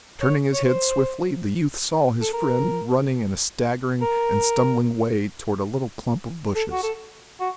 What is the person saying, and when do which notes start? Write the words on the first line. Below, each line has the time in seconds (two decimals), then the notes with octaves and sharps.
Turning his head swiftly, the youth saw his friend running in a staggering and stumbling way toward a little clump of bushes.
0.21 C#5
0.53 C#5
0.64 C5
2.21 A4
2.33 A#4
4.02 A#4
6.56 A4
6.72 F#4
6.83 A4
7.40 F#4